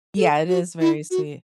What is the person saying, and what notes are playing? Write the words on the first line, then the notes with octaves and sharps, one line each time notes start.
Yeah, it is very sweet.
A4
F#4
E4
F#4